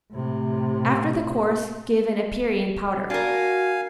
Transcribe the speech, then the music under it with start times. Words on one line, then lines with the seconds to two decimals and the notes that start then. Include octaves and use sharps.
After the course give an aperient powder.
0.12 A2 C3
3.10 D4 F#4 A#4 F5 G#5